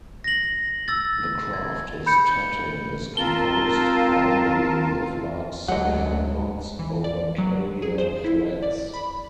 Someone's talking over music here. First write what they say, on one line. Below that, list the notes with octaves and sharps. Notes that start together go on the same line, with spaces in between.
The craft of tatting is composed primarily of lark's head knots over carrier threads.
A#6 F#7
E6 A6
G#6
B5 G6 C#7
C4 F4 A#4 A5 G7
D2 F#3 G#3 D#5 F#5
E3
D5
F#3
G#4
C5
E4
D5
B5